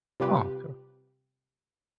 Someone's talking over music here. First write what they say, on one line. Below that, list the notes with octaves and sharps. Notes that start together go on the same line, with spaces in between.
Oh, coo
C3 G3 F4 G4 B4